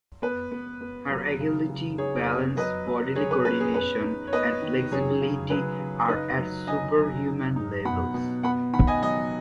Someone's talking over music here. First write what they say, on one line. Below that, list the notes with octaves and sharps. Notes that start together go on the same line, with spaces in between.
Her agility, balance, bodily coordination and flexibility are at superhuman levels.
B3 B4
B3
B3
F#3
C#3
C#3
D#4 G#4 C#5
B3
F#3 B4 D#5
F#3
F#3 G#4 C#5
B4
C#4 B4
G#4
B3 B4
D#4
C#5
B3 B4 D#5
D#3
F#3 G#4 C#5
C#3
F#3 B4
C#3
D#4 B4 D#5
F#3
D#4 D#5 G#5
F#3
D#4
D#4
B2 F#5 B5
B2
B3 F#5 B5
D#3 F#5 B5
D#5 G#5
F#3 D#5 G#5